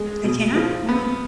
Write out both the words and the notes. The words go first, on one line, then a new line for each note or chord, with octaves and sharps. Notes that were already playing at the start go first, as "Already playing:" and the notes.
They can, yeah.
Already playing: G#3
B2
F3
B3